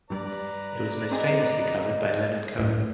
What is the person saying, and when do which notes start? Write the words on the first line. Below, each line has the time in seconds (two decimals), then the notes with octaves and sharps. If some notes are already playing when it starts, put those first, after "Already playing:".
It was most famously covered by Leonard Cohen.
0.10 G2 G3 B4 D5 A#5
1.12 C4 G#4 D#5
2.59 A2